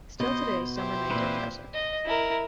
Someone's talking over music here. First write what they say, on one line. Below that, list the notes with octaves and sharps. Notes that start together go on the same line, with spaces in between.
Still today some remains are present.
B2 C5 D#5
E4 G4 C5
A#2 E3 C4 B4
D#5
E4 A#4